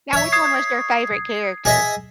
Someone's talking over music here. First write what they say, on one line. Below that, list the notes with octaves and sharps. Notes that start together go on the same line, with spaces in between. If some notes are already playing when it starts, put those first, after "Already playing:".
Now which one was your favorite character?
C#5 E5
D#6 G#6 C7
G#4 D#5 E5